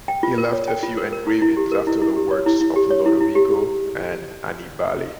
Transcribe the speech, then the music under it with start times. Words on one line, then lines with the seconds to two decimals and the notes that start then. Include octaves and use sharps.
He left a few engravings after the works of Lodovico and Annibale.
0.08 G5
0.23 F4
0.38 A#4
0.53 C#5
0.68 G5
0.83 F4
0.97 A#4
1.12 A#4
1.27 E4
1.42 E4
1.57 G4
1.72 A#4
1.87 E4
2.02 E4
2.16 G4
2.31 C#5
2.46 E4
2.61 E4
2.76 G4
2.91 C#5
3.06 E4
3.21 E4
3.35 G4